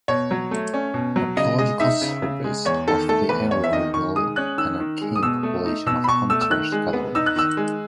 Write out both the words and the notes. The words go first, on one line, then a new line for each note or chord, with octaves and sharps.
Archaeological surveys of the area reveal an archaic population of hunter-gatherers.
B2 C#5
F#3
A3
C#4
B2
F#3
C#3 D#5
G#3 D#5
D#4 E5
C#3
C#3
G#3
E2 C#5
D#3 A4
A3 A4
E2 B4
E2 C#5
E5
D#3 D#5
D#3 C#6
G#3 D#6
C#4 F#6
D#3 E6
D#3
G#3
D#6
B2 E6
A3
D#4
B2 E6
B5
B2 C#6
A3 E6
E6
D#3 F#6
G#3
B3
D#4 E6
F#6
D#3 E6
G#3